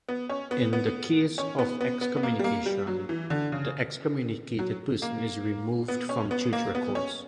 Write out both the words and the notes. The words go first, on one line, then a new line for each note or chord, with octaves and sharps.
In the case of excommunication, the excommunicated person is removed from church records.
B3
C#4
B3
B3
C#4
B3
B3
B3
B3
A#3
G3
A#3
G3
F#3
E3
D3
C#3
F#3
A#3
B3
C#4
B3
A#3
B3
C#4